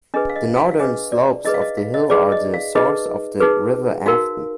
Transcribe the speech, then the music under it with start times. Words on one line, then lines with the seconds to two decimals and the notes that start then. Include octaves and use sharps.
The northern slopes of the hill are the source of the River Afton.
0.14 D4 G#4 B4 D#5
0.30 F5
0.36 D#5
0.57 F5
0.71 F5
0.79 D4 G#4 B4 D#5
1.12 D5
1.45 D#4 G#4 B4 D#5
1.54 F5
1.61 D#5
1.77 F5
1.94 D#5
2.10 D#4 G#4 B4 D5
2.32 D#5
2.54 F5
2.75 D#4 G#4 B4 D#5
3.40 D#4 G#4 B4
4.06 D#4 F#4 A#4 F5